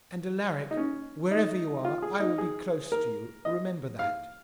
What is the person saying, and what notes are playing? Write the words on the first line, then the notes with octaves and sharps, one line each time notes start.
And, Alaric, wherever you are I will be close to you, remember that.
D#4
C#4
D#4
F4
G#4
D#4
G#4
A#4
D#5
F5